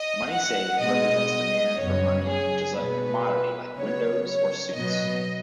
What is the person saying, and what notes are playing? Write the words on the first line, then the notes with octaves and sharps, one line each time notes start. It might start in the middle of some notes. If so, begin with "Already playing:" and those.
Money saved represents demand for money which is a commodity like windows or suits.
Already playing: D#5
F#5
B2 G#3 B3 D#5
F#2 C#3 F#3 B3 C#5
G#4
B2 B3 B4
C#3 F#3 B3 C#5
C#5
B2 F#3 B3 D#5